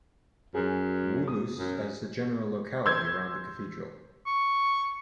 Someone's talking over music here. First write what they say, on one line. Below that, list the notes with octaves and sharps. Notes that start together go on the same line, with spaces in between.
Woolos' as the general locality around the Cathedral.
F#2 F#3 G#4
D#6
F#2
C6 E6 G6 G#6
C#6